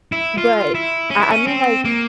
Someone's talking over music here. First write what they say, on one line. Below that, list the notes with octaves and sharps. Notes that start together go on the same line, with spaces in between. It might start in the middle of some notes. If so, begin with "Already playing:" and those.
But I I mean, like
E4
F4
E4
C#4
E4
C#4
C4
A#3